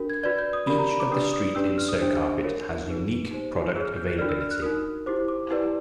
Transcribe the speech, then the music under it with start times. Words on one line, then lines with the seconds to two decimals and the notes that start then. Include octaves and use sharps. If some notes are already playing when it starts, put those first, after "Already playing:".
Each of the street in Sowcarpet has unique product availability.
Already playing: D4 F#4 A#4
0.10 G#6
0.23 F#4 B4 D5 G#6
0.38 G6
0.53 D#6
0.67 G4 A#4 D5 B5
0.78 A#5
0.89 B5
1.00 D6
1.12 D4 G4 B4 D5 D#6
1.33 D#6
1.55 D4 G4 B4 D5 E6
1.66 E6
1.78 F6
1.88 D#6
1.99 D4 G4 C5
2.43 F#4 A#4 C#5
2.87 D#4 G#4 B4
3.31 D#4 G4 C5
3.75 F4 G#4 C#5 E6
3.85 F6
3.97 G6
4.08 F#6
4.18 D4 F#4 A#4 D5 F6
4.29 E6
4.41 F6
4.51 F#6
4.62 D#4 F#4 A#4 D#6
5.06 E4 G4 C5 D6
5.28 D6
5.50 E4 G4 B4 D5